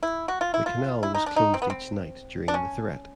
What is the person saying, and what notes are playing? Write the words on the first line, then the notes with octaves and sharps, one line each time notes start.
The canal was closed each night during the threat.
E4
F#4
F4
E4
F4
E4
D#4
D4
D#4
C4
B3
C4
D4
C#4